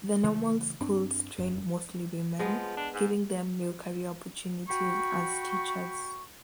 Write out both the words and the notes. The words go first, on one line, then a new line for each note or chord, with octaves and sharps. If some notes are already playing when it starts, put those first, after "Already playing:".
The normal schools trained mostly women, giving them new career opportunities as teachers.
C#3 E3 A3
G2 C4 D4
E1 F#2
F3 G#3 B3
D4
G#2
F#4 G5 B5 C#6